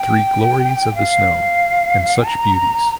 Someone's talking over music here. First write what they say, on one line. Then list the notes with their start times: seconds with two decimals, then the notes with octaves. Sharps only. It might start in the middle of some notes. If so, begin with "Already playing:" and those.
Three glories of the snow, and such beauties!
Already playing: G5
0.95 F5
2.26 A#5